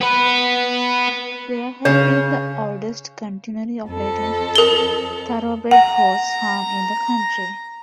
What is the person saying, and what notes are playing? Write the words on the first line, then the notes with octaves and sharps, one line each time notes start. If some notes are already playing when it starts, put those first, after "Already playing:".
Belair had been the oldest continually operating thoroughbred horse farm in the country.
B3 B4
C#3 C#5
F2 A4
A#4 G7
F#5 A#5